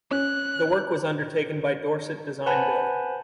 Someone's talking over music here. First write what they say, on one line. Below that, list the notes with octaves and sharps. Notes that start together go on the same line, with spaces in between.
The work was undertaken by Dorset Design Build.
C#4 F#6
B4 C5 F#5 G#5 A5 B5